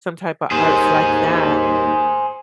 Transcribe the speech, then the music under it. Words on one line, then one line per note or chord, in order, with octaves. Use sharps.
some type of arts like that.
D#2 G#4 C5